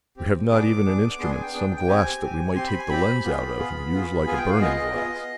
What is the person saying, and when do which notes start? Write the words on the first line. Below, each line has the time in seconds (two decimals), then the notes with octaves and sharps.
"We have not even an instrument, some glass that we might take the lens out of, and use like a burning glass."
0.17 C4 G4
0.51 B3 D4 G#4 D6
0.85 B3 D4 G#4
1.19 B3 D4 G#4 C6
1.31 G#5
1.42 G5
1.53 B3 D4 G#4
1.76 G5
1.87 C4 G4 G#5
2.22 C4 G4
2.56 C4 G4 C6
2.67 B5
2.79 G#5
2.90 C4 G4 B5
3.24 B3 F4 G#4
3.58 B3 F4 G#4
3.92 B3 F4 G#4
4.27 B3 F4 G#4 G#5
4.38 G5
4.50 F5
4.61 B3 F4 G#4 D#5
4.95 B3 F4 G#4